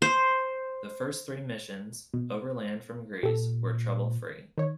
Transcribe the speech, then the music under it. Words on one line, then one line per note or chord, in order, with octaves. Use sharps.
The first three missions, overland from Greece, were trouble-free.
C5
B2
A#2 G4 A4
D#3 C#5